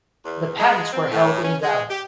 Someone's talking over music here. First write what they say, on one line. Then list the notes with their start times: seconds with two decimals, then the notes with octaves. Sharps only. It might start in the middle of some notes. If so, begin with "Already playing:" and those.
The patents were held invalid.
0.24 E2
0.58 G#3
0.92 C4
1.12 A2
1.44 C#4
1.63 G#3
1.90 G4